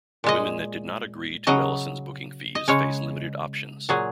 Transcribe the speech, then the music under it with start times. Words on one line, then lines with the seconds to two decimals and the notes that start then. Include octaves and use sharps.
Women that did not agree to Ellison's booking fees faced limited options.
0.24 A#2 G#3 D#5
1.47 C#3 F#3 D#5
2.55 D#5
2.68 C#3 G#3 C#5
3.89 A#2 F#3 G#4